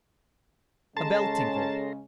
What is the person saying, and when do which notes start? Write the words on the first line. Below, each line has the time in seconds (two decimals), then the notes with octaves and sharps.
A bell tinkled.
0.97 C#3 G#3 C#4 A4 A5 A#5 C6